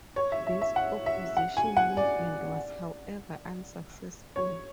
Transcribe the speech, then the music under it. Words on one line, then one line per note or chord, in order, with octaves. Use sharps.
This opposition movement was, however, unsuccessful.
C#5
E5
E5
E5
F#5
E5
F#5
G#5
F#5
D5
C#5